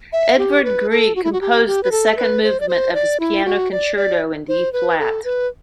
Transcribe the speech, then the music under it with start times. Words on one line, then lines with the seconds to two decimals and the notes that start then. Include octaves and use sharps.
Edvard Grieg composed the second movement of his Piano Concerto in D-flat.
0.13 E5
0.38 G4
0.64 B4
0.89 A4
1.16 F#4
1.24 E4
1.33 F#4
1.41 G4
1.67 G4
1.83 B4
1.91 A4
2.17 B4
2.43 C5
2.60 D5
2.69 C5
2.94 D5
3.20 E4
3.45 F#4
3.72 D5
3.96 D5
4.49 C5
4.73 B4
4.99 A4
5.24 B4